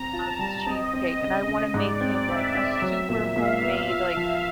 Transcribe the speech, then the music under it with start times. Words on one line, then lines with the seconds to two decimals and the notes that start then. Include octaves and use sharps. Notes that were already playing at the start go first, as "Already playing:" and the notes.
loves cheesecake, and I wanna make him, like, a super homemade, like,
Already playing: C4 A#5
0.12 F4 A5
0.39 G3
0.66 C4 D#5
0.93 C4
1.20 C#3
1.47 C#3
1.74 G#2 D5
2.00 C4
2.28 C4 E5
2.55 C4
2.82 F#3
3.09 A#2
3.35 A#2 F5
3.62 B3
3.89 F4
4.17 F3